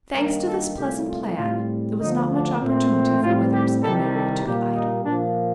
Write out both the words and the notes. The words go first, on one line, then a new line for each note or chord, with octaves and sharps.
Thanks to this pleasant plan, there was not much opportunity for Withers and Mary to be idle. . . .
G2 D#3 A#3 A#4
A4
C2 A#2 A3 G4
F4
A2 G3 C4 F4
D2 D3 F3 D#4
D4
A#2 A3 C4
A2 G3 C4 F4
G4
C2 C3 D#3 G3 A4
A4
A#2 G3 A#3 G4
D#4
A#2 F3 A#3 D4